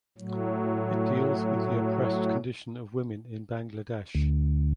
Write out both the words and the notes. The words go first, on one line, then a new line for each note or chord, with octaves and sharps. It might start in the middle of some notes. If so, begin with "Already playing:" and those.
It deals with the oppressed condition of women in Bangladesh.
A2 F#3
D2